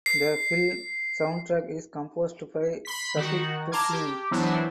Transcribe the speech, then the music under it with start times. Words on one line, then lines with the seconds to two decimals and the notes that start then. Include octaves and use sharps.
The film soundtrack is composed by Shafiq Tuhin.
0.06 C7
2.85 B5 C6 B6
3.16 D#3 F#4
3.72 A5 A#5 C6 D6 F6 G#6
3.93 G4
4.31 E3 F#3 B3 D4 E4 C5